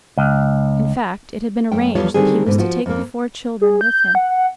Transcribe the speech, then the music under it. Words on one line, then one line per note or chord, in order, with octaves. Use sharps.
In fact it had been arranged that he was to take the four children with him.
C#2
F#2 A3 G5
E2 F3 G3 F4 C#5
D3 D#3 G3 C4 G#4
G#2 B2 D3
F3 F4 F#4
F2 A#3
G#4
G6
F#5